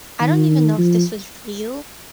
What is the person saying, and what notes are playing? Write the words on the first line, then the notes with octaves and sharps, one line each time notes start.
I don't even know if this was real,
D#3
F3